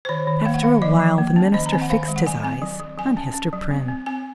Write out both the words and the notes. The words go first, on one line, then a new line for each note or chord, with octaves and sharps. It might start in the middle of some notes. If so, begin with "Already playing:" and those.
After awhile, the minister fixed his eyes on Hester Prynne's.
C5
D#3 C#5
D#3
A#3 F5
F#5
D#3 F5
F3 D#5
F3
A#3
C#4
D#3 D#5
A#5
C4 G#5
F#5
D#3 F5
G#3
F#5
F#3 G#5
C4 G#5
F#3
F#3
F#3 G#5
C#4
C#4
F#3
C4
C4
C4 G#5